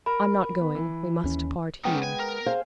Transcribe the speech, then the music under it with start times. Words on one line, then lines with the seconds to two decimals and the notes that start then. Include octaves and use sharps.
"I'm not going; we must part here."
0.06 A#4 B5
0.61 B3
0.75 E3
1.24 D#2 C#4
1.85 G#3 B3 C#4 D#4 G5
2.03 G#5
2.19 A#4
2.46 G#4 C5 F5